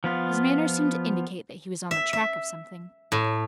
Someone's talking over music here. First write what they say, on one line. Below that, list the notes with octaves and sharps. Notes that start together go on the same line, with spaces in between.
His manner seemed to indicate that he was on the track of something.
F3 B3 F4
E5
E5
A2